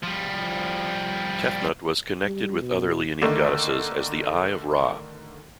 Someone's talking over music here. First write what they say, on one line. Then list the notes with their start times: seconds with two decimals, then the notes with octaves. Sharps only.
Tefnut was connected with other leonine goddesses as the Eye of Ra.
0.03 F3 G3
2.24 G3
2.61 B2
3.22 D3 D#3 A3 A#3